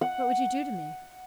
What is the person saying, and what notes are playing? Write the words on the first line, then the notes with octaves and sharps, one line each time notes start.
"What would you do to me?"
F#5